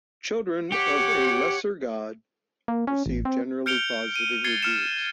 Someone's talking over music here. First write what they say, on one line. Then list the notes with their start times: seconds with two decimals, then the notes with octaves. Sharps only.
"Children of a Lesser God" received generally positive reviews.
0.72 G4 C#5 F#5
2.68 A#3
2.87 C#4
3.06 A1
3.25 C4
3.66 F6 G6 C#7 D7 F7 G7
4.16 D#7
4.44 G#6 A6 C7 C#7 G7
4.63 F6 C#7 E7